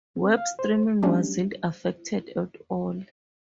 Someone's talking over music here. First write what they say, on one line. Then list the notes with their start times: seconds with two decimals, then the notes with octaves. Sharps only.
Web streaming wasn't affected at all.
0.16 C4
0.37 F5
0.59 C5
1.03 F#3 G3 A3 C#4 D4 G4